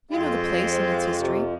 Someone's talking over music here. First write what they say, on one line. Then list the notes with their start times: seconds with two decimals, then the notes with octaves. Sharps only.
You know the place and its history.
0.12 F2 G#3 C4 F4
0.71 C5
1.20 C3